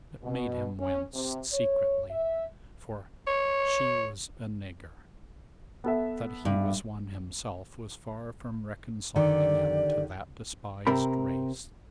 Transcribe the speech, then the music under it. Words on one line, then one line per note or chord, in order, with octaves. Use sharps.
It made him wince, secretly--for she was a "nigger." That he was one himself was far from reconciling him to that despised race.
B2
C#4
C3
C#5
E5
C#5
B3 A4 E5
G2
D3 D#3 G4 D5
C3 C4 A#4 B5